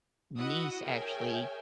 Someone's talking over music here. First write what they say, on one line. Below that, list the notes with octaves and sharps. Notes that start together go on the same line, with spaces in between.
niece actually,
E4 F#4 D#5 F#5 D#6 E6
G#4 A#4 C#5 E5 G5 G#5